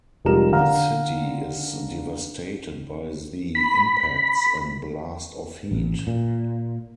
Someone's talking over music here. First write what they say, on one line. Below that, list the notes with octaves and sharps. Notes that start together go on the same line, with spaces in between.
The city is devastated by the impacts and blast of heat.
F1 G3 G#3 F4 A#4 E7
D3 F5 F#5 A#5 F6
B5
A1
A#2